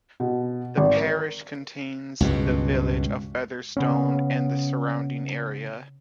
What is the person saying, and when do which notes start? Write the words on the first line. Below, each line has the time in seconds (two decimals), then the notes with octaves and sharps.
The parish contains the village of Featherstone and the surrounding area.
0.20 B2
0.78 G#1
0.96 A#4
2.20 C#2 G2 B2
3.77 C#3 B3 C#4